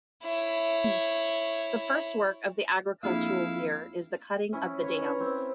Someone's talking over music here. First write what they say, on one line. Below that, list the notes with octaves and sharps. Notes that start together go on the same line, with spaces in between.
The first work of the agricultural year is the cutting of the dams.
E4 C#5
F2 A#3 D4 E4 G#4 F5 E6
C#4 E4
B4 C#5
A#4 B4
C4